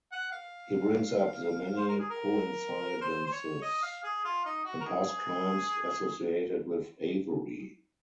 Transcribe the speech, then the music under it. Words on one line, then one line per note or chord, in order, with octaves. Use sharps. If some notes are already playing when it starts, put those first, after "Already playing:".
He brings up the many coincidences and past crimes associated with Avery.
F#5
F5
C5
A#4
G#4
A#4
C5
C5
C#5
D#5
F5
G#4
F4
D#4
F#4
A#4
G#4